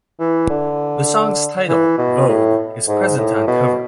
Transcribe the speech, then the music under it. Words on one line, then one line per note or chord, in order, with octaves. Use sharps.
The song's title, "Vogue", is present on cover.
E3
D3
E3
B2
A2
G#2
A2
B2